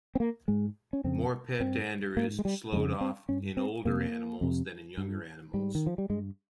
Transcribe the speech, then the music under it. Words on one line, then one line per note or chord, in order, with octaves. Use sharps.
More pet dander is sloughed off in older animals than in younger animals.
C4
A#3
G#2 G#3
C#4
F2 C#3 C4
G2 C4
G#2 A#3
G#3
G3
F2 C#3 G#3
C4
G2 C#4
C4
F2 C3 A#3
F2 C3
G2
G#2 G3
D#3
F3
G3
G2 G#3